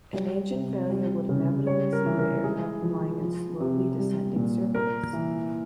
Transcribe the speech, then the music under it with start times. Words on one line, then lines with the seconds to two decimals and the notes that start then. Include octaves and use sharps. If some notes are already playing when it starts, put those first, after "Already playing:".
An engine failure would inevitably see the aircraft flying in slowly descending circles.
0.13 G3
0.52 C3
0.90 G3
1.29 C#3
1.67 G3 C#5
1.93 A#4
2.06 E3
2.18 A#4
2.44 G#3 G#4
2.82 F3
3.21 F3
3.60 C3
3.98 G3
4.36 A#2
4.75 A#3 A#4
5.13 E3